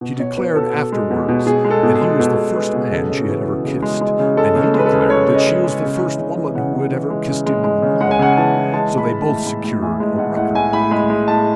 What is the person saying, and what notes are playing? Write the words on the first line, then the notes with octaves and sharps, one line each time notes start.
She declared afterwards that he was the first man she had ever kissed, and he declared that she was the first woman who had ever kissed him in the Mall, so they both secured a record of a kind.
B2
B2 C#5
B2 B4
B2 A4
B2
G#3
B2
B2
B2 G#4
G#3
A4
B2
G#4
G#3
B2 A4
B2
G#3 B4
B2
C#3 A4
C#3
E3
C#3
C#3
G#3
G#3
C#3
G#3 A4
C#3
A4
G#3 B4
A4
C#3
G#3 C#5
C#3
D#5
G#3
D#5
G#3
C#3
E3
C#3
E3
C#3 F#5
C#3
E3
G#3
C#3
G#3
G#3
C#3
G#3 F#5
G#5
C#3 F#5
G#5
E3 A5
E3
G#3 A5
A2
B5
G#3
A5
A2
A2 B5
A2
A2 G#5
G#3
A2 F#5
A2 F#5
A2 G#5
A2 B5
G#3 B5
G#3
A2 A5